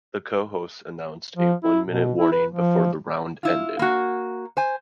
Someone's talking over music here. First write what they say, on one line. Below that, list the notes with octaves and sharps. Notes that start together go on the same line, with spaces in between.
The co-host announced a one-minute warning before the round ended.
F3
E4
B2
E4
B4
F3
E4 F4
A#3 F#4
C5 G#5